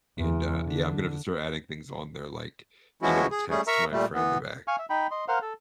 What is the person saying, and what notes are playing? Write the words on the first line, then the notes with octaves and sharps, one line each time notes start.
and, uh, yeah, I'm gonna have to start adding things on there, like, you know, text my friend back.
E2
D3
E3 F3 G#3 C#4 E4 F#4
G#4
G3 A3 C#4 G#4
A#4 E5 A#5 C#6 E6
A#2 G3 A3
E3 B3
F5 G#5 C#6
E5
D#4 G5 B5
D#5 C6
A#4 C5 F5 F#5
A4